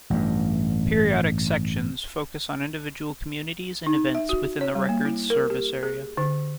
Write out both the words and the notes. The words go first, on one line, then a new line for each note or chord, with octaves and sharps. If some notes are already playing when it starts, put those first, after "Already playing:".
Periodic sections focus on individual communities and events within the Record's service area.
A1 G2
D#4
E5
F#4
C#5
G3
A#3
E4
A#4
G4
G#4
D3